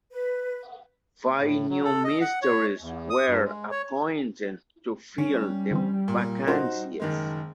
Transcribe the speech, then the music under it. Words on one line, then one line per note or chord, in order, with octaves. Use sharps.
Five new ministers were appointed to fill the vacancies.
B4
A2
F#3
A4
D#5
F#5
C#5
E2
D#6
G2
G#3
C#5
D3 G3 C#4
D3 E3 C4
A#2
C#4 D#4 F4 F#4 A#4 C5
F#1 D#3 G#3